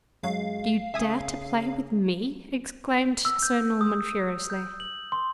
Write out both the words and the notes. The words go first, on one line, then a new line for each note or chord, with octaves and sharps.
"Do you dare to play with me?" exclaimed Sir Norman, furiously.
F#2 F#3 G#3 F5
C#3 E5 G#5 D#6
E6
G6
D#6
G6
F#7
C6